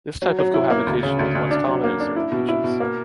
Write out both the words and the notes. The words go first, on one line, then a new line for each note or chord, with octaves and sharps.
This type of cohabitation was once common in certain regions.
F#3
F#3
E4
A#3
D2
C#3
D2
D2
D4
F#3
A#3
D4
E4
B2
E4
B2
A#3